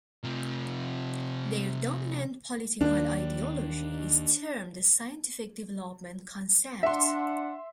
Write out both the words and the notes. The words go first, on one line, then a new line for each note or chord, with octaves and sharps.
Their dominant political ideology is termed the Scientific Development Concept.
C3 F3
D#2 D#3 A#3 D4
D4 E5 F#5 C6